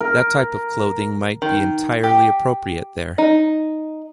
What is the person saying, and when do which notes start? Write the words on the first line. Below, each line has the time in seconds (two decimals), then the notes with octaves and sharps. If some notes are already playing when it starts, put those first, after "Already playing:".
That type of clothing might be entirely appropriate there.
0.01 A#4
1.42 D#3
2.04 G4
3.18 D#4